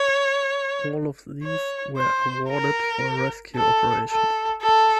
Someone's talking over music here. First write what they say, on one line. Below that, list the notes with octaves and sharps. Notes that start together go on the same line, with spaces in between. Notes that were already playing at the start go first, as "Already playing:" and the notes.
All of these were awarded for rescue operations.
Already playing: C#5
C#5
C5
A#4
A4
A4
A4